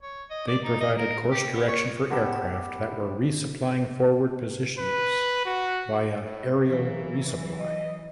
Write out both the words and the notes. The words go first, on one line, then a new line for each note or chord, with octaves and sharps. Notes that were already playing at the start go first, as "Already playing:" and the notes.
They provided course direction for aircraft that were resupplying forward positions via aerial resupply.
C#5
D#5
D5
D#4
D#5
A#4
G4
B3
C#5
B3 D4 G4 E5
B4
F#4
A2
E3 F#3 A#3
D#5